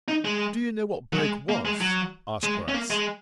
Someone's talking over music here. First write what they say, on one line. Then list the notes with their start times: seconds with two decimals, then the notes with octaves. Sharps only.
"Do you know what Brake was?" asked Bryce.
0.08 D#4
0.25 G#3
1.13 F#3
1.18 G#3
1.49 A#3
1.65 G#3
1.81 F#3
2.43 G#3
2.68 C#4
2.74 A#3
2.90 G#3